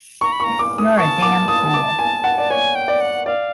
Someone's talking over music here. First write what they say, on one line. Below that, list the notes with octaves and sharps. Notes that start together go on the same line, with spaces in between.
You're a damned fool!
A#5 C#6
B5
A#5 C#6
D6
D#6
A5 C#6
D6
D#6
D6
G#5
F#5
D5
C#5 G#5
G5
D5
F#5
D5 F5